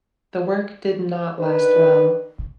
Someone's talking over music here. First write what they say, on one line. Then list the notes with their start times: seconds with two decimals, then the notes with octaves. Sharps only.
The work did not last well.
1.39 D#3 D4 B4